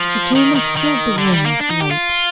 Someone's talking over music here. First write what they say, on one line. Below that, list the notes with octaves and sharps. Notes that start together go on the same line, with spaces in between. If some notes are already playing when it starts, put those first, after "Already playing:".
She came, and filled the room with light.
Already playing: F3
D#3
D#3
D#3
D3
G3
A#3
D4
D#4
G4
F4